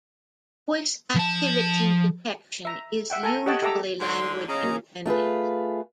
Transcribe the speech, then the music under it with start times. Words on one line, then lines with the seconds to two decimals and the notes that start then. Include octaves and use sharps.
Voice activity detection is usually language independent.
1.16 F3 A5
2.65 E5 A#5
3.10 E5 F#5 G5
3.23 A4 G#5 A#5
3.46 G4 C#5 D#5 F#5 G5 A5
3.62 G4 A4 E5 A#5 D6 E6
4.00 G#2 D3 C6
4.49 C#3 C#4 G#4 D#5 A#5
4.63 A#3
5.06 A3 F4 G#4 B4